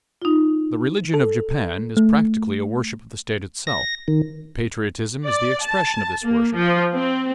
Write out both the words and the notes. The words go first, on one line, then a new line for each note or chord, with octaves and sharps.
The religion of Japan is practically a worship of the State itself. Patriotism is the expression of this worship.
D#4 F4
A4
A3
A#6
D#3
D5
A5
A#3
F3
C4